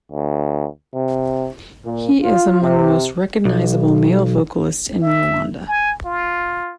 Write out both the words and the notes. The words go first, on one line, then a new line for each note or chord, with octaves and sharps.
He is among the most recognizable male vocalists in Rwanda.
D2
C3
A#2
F4
C3
B1
E5
G#5
F4